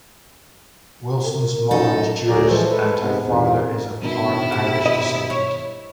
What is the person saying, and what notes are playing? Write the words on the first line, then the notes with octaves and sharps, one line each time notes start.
Wilson's mother was Jewish, and her father is of part Irish descent.
A#4
F#2 D#4 A4
D2 F#3 F#4 G#4 D5 A#5
E3 F3 G#3 A4 C5
G#3 A4 B4
G#2 C3 G#3 B3
E2 G#2 C3
G2 B2 D#3 E4
C3
D#5
C#5